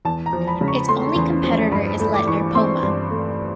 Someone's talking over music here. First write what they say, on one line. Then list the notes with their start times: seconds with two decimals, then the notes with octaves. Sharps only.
Its only competitor is Leitner-Poma.
0.05 E2 A5
0.26 A#5
0.33 F3
0.47 B5
0.61 C#3
0.68 C#6
0.88 A3 C6
1.16 E2
1.44 F3
1.72 G2 B5
2.00 A3
2.14 D6
2.27 E3 C#6
2.55 C4 C6
2.83 G2
3.11 A3